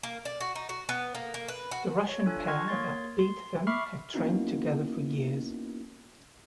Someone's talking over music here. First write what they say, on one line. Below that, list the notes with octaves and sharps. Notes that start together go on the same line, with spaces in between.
The Russian pair that beat them had trained together for years.
A#3
D5
F#4
D#4
F#4
B3
A#3
A#3
B4
F#4
C#5
D4 F4 A4 G#5 F#6
C6 C#6 F6 G#6 A#6
A#3 C#5 C6 A6
C6
E5 B5 C#6 D6 F6 C7
A#3 B3 C#4 D#4 E4 F#4